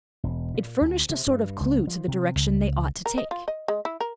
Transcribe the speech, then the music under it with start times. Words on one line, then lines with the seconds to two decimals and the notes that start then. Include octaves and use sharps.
It furnished a sort of clue to the direction they ought to take.
0.23 E1
0.54 A#2
0.81 D2
1.10 C3
1.27 G2
1.61 C#2
1.87 F3
2.08 C3
2.36 C#2
3.06 A#4
3.18 D#5
3.31 F4
3.48 D#5
3.68 G#3
3.85 E4
4.01 A#4